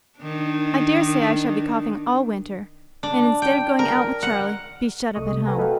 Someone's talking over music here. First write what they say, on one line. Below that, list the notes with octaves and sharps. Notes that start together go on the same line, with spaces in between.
I dare say I shall be coughing all winter, and instead of going out with Charley, be shut up at home.
D#3 D4
D4
G5
A#4
F#5
C2 A3 D#5 C#6 D#6
C3 A3
A4 B4 F#5 G#5 A#5
F#4 A4 B4 D#5 F5 G5